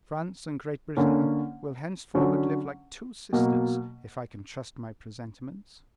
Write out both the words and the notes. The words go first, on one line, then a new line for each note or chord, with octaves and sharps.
"France and Great Britain will henceforward live like two sisters, if I can trust my presentiments."
D3 A#3 C#4
D3 F#3 C#4
B2 F#3 A#3